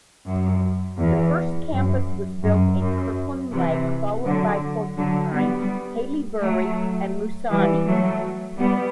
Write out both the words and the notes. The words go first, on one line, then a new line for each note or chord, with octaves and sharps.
The first campus was built in Kirkland Lake, followed by Porcupine, Haileybury, and Moosonee.
F#2
E2
F#2
F#2
F#2
C3 E3
D3 F#3
D3 F#3
G3 B3
F#3 A3
E3 G3
F#3 A3
G3 B3